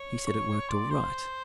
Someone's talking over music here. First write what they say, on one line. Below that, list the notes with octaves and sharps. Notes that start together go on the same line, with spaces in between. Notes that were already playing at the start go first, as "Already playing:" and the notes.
He said it worked all right.
Already playing: C#5
C#6
D5 C6
C5